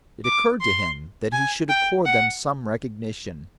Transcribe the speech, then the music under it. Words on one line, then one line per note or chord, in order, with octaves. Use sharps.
It occurred to him that he should accord them some recognition.
D6
C6
G#5
G5
F#5